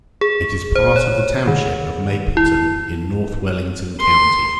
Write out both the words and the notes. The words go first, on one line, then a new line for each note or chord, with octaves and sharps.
It is a part of the township of Mapleton in North Wellington County.
G#4
C5
C#5
D#3
E4
C6